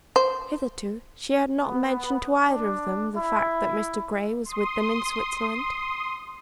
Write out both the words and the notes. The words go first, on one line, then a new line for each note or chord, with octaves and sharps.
Hitherto she had not mentioned to either of them the fact that Mr. Grey was with them in Switzerland.
C5
B3
D4
E4
C6 D#6